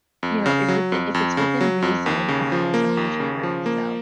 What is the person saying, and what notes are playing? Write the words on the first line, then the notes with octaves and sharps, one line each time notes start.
You know, if with if it's within reason, of course, I don't want you to hurt yourself,
F2
C#3
F#3
F2
F2
C#3
F#3
F2
D#2
C#3
F3
A#3
D#2
C#3
F3
A#3